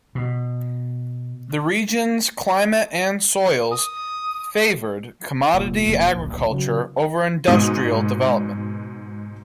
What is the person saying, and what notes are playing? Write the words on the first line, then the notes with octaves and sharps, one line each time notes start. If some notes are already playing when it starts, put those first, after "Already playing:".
The region's climate and soils favored commodity agriculture over industrial development.
B2
D#6
F1 A#2
F1 F2 F#3 A#3
D1 A#1
C#3 F#3
G#2 B2 G#3 B3 D#6 D#7